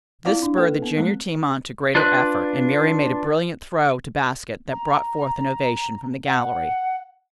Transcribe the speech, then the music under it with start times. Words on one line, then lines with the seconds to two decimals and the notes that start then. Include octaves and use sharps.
This spurred the junior team on to greater effort, and Miriam made a brilliant throw to basket that brought forth an ovation from the gallery.
0.25 C4 E4 F4 D5 F5 F#5
0.43 D4
0.56 A#3 A4 B4
0.82 B3
0.96 G#3 A3 C4
1.95 D4 F4 B4 F#6
4.72 A#5
6.26 F#5